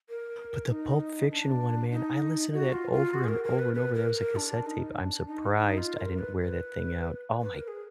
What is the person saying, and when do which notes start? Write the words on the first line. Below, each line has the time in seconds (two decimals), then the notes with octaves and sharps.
but the Pulp Fiction one, man, I listen to that over and over and over, that was a cassette tape, I'm surprised I didn't wear that thing out. Oh, my
0.09 A#4
0.69 D#4
1.31 D4
1.91 D#4
2.53 F#4
2.73 F4
2.93 F4
3.14 F#4
3.24 G#4
3.28 A#4
3.44 A#4
3.59 B4
3.74 B4
3.94 A#4
4.15 A#4
4.36 D4
4.67 D#4
4.97 D4
5.27 D#4
5.57 D#4
5.78 F4
5.98 A#4
6.19 B4
6.41 B4
7.41 B4
7.54 A#4
7.68 G#4